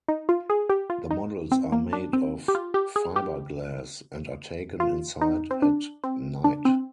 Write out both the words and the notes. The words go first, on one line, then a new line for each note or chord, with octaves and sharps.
The models are made of fibreglass, and are taken inside at night.
D#4
F4
G#4
G4
F4
D#4
C4
A#3
D4
C4
G4
F4
G4
G#4
G4
F4
D#4
C4
D4
C4
D4
C4